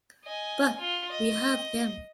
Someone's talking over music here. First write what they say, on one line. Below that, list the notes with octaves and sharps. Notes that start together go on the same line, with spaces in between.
But we have them!
D#5 G#5
F4
D#5